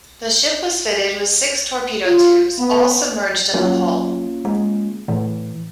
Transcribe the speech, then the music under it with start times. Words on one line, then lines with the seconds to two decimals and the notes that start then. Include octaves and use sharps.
The ship was fitted with six torpedo tubes, all submerged in the hull.
2.06 F4
2.58 B3
3.54 F#3 A#3 C#4 F4
4.45 G#3
5.08 A2 E3